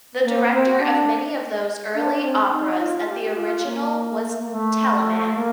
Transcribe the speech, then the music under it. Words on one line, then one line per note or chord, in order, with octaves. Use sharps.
The director of many of those early operas at the original was Telemann.
A#3
C4
D4
D4
D4
C4
D#4
F4
G4
F4
A#3
A#3
A3
A#3